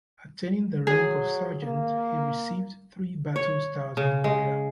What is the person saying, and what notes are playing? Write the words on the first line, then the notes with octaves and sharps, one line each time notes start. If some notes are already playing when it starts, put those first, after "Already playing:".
Attaining the rank of sergeant, he received three battle stars in Korea.
F#3 G#4
A#3
C#5
C#3
G#3